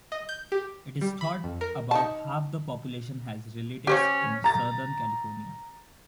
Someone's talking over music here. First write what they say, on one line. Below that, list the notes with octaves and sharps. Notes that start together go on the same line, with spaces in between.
It is thought about half the population has relatives in Southern California.
D#5
G6
G4
G3
B5
F2
A#4
D#4 A5
C#4 G4 C5 C#5
A#5 A6